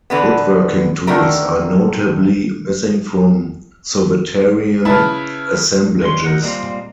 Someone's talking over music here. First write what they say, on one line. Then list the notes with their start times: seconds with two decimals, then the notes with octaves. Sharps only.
Woodworking tools are notably missing from Sauveterrian assemblages.
0.10 D3 E3 B3
1.07 D3 D#3 A3 A#4
4.85 C#3 E4 B4 A5 B5
6.01 G2 G#3 C#4 C6
6.24 D#4 A#4 F#5
6.42 A#2 G3 G#3 A#3 C4